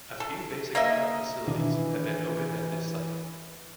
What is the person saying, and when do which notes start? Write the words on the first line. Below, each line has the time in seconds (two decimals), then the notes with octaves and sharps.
A few basic park facilities have been opened at this site.
0.20 A4
0.75 A#3 D#5 E5
1.47 B2 D#3 E3 D4